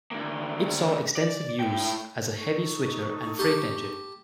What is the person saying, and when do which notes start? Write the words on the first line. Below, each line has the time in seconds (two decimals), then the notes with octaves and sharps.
It saw extensive use as a heavy switcher and freight engine.
0.11 D2 A#3
1.16 D5
1.60 A2 G5
2.37 D#4 A4 C#6
3.39 G4 A5